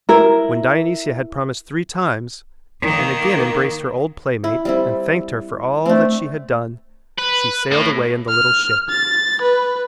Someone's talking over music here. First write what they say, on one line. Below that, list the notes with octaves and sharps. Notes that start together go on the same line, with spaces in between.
When Dionysia had promised three times and again embraced her old playmate and thanked her for all that she had done she sailed away in the little ship.
E4 A#4
D#3 A#3
E4
G3 C4 E4
A3 C4 D4
B4
A2
F6
A6
B4